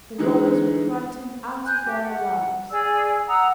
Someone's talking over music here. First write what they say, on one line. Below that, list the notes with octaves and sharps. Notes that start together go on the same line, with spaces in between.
The robbers were frightened out of their lives.
D3 E3 G#3 D#4
G#5 F#6 G6
G4
F#5
G#4 D5 E6
F#5 A#5 D#6 E6